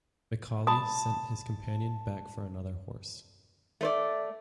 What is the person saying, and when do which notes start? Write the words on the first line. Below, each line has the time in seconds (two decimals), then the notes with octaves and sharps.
McCawley sent his companion back for another horse.
0.67 A5 B5 D#6
3.81 A3 C5 D5